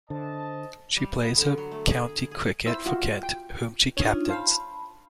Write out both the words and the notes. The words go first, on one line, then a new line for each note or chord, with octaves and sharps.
She plays her county cricket for Kent, whom she captains.
D3 C5 D#5 A5
G3
B3
D3
F#3
A3
G#4
G#4
E4 C5 E6
F4 F#4
G5
D4 D#4 F4 C#5 D#6
C5 F5 A5 B5